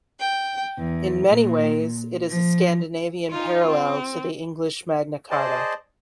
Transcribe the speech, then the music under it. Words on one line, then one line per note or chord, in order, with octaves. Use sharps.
In many ways it is a Scandinavian parallel to the English Magna Carta.
G5
E2
A#2
F3
D#4 F4
C4
G#4 C5 D5 D#5 A5